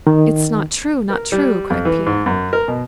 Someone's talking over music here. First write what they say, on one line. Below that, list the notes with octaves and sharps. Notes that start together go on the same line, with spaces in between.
"It's not true, not true!" cried Pierre.
D#3
A#4
G3
F2
E3
G#2
F#2
A#4
B2